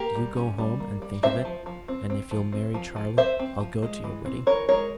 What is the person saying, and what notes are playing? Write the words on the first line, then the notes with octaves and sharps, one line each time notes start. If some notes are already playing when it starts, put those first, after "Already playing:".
Do you go home and think of it; and if you'll marry Charlie, I'll go to your wedding.
Already playing: A#3 G4 A#4
G3
C#4
G3
A#3
G3
C4 C5 E5
F3
F3
C4
C4
F3
C4
F3
F3
C4 C5 E5
C4
F3
G#3
E3
C4
E3 A#4 C#5
G#3 A#4 C#5